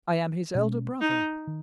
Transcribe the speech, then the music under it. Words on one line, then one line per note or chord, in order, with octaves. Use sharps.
"I am his elder brother."
B2 G#3 C#4
D#4
D#3